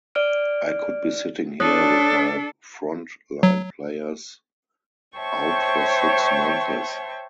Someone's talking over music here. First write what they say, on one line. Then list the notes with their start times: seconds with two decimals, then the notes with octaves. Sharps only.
I could be sitting here with my front-line players out for six months.
0.15 D5 F6 D7
1.60 D4 A4 C#5 D#6 F#6
3.43 F#3
5.18 C5 C#5 E5 G5 A5 C#6